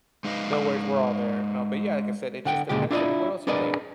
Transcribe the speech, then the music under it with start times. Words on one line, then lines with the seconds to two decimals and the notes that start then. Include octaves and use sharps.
No worries, we're all there no, but yeah, like I said, it just depends, I mean, what else do you think?
0.24 G#3 D#4 B4 D#5 F5
2.45 D3 F#5 G5
2.69 D2 A#2 C#3 G#3 G4
2.91 D4 E4 F4 C5 D5 D#5
3.47 D4 G#4 A#4 B4 D5 D#5